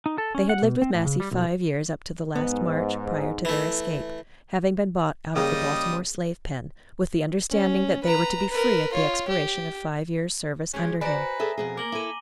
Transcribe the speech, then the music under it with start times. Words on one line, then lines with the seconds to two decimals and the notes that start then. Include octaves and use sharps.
They had lived with Massey five years up to the last March prior to their escape, having been bought out of the Baltimore slave-pen, with the understanding that they were to be free at the expiration of five years' service under him.
0.06 D#4
0.18 A4
0.35 C#4
0.49 F#5
0.62 B2
0.82 C4
0.94 A2
1.06 C#3
1.20 G3
1.31 B1
2.36 G#2 B3
3.45 E3 A3
5.36 C#3 G3 A#3 G#4 D#5 G5 D#6
7.51 C#4
8.04 B4 A#5
8.50 A#4 B4
8.93 F4 C#5
9.28 G4
10.73 G#3 C#4 G4 G#4
11.01 F#4 B4 C5 D5 G#5 A#5 A#6
11.40 G#4 A4 D5 E5
11.58 F2 B2 G#4
11.77 A#3 A#4 D6 F#7 G7
11.92 E4 A4 D6 D#7